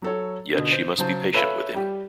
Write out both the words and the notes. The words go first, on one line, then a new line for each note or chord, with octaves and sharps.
Yet she must be patient with him.
F#3 A4 C#5
B2 D3
C5
C#3 F#3 C5 A5
A4 B4 C#5 E5 F5 B5
G3 G4